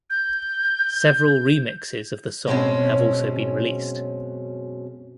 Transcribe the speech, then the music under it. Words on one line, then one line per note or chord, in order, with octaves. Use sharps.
Several remixes of the song have also been released.
G6
F#2 B2 G#3 A#3 C4 C#4